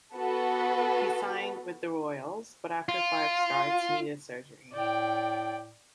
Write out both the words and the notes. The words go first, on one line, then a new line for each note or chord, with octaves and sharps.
He signed with the Royals, but after five starts needed surgery.
B3 F#4 A4 B4
F4
A2 D5 G5